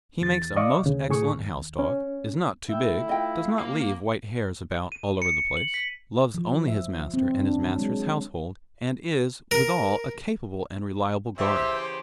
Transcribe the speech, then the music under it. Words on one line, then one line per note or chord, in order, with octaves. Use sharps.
He makes a most excellent house-dog, is not too big, does not leave white hairs about all over the place, loves only his master and his master's household, and is, withal, a capable and reliable guard.
E2 A6
D5 D#5 F5 C#6 D6
D2 C#3
A2 G#4 C#6
D#2
C#4
A3 D#4 E4 E5 G5
F4 D#5 G5
A#3 F5
D#7
C#7
F#7
B6
F3
E5
C4
D4
F#3
G#3
A#4
C#3 E3 G4 C5 E5